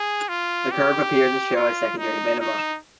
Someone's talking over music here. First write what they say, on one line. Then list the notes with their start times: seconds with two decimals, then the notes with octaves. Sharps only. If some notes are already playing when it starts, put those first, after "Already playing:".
The curve appeared to show a secondary minima.
Already playing: G#4
0.29 F4
0.71 G4
1.56 F4
1.98 D#4
2.40 D#4